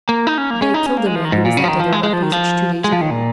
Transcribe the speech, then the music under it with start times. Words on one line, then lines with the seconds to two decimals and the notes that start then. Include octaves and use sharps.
They killed a man who resented their rough usage, two days ago.
0.09 A#3
0.27 D#4
0.38 C#4
0.50 A#3
0.62 C#4
0.74 D#4
0.86 C#4
0.97 A#3
1.06 G#3
1.15 F3
1.25 D#3
1.32 G#2
1.45 A#2
1.57 C#3
1.64 F3
1.68 D#3
1.80 F3
1.92 G#3
2.03 G#3
2.13 F3
2.22 D#3
2.32 F3
2.84 G#3
2.92 F3
3.01 D#3
3.11 A#2